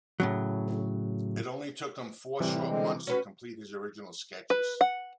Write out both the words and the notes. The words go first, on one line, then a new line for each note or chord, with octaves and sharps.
It only took him four short months to complete his original sketches.
A2 C#3 F#3
A2 C3 E3 G3
D3 G#3 C4
C#4 F#4 B4
B4
F#5